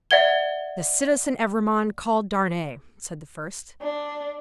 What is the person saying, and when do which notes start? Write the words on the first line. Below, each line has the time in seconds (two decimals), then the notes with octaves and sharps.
"The Citizen Evremonde, called Darnay," said the first.
0.11 D5 E5 F#5 G#6 G7
3.81 D4